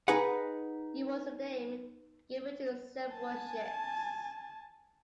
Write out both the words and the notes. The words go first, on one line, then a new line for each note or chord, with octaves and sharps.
It was the name given to several ships.
D#4 G#4 B4 F#5
G#5 A5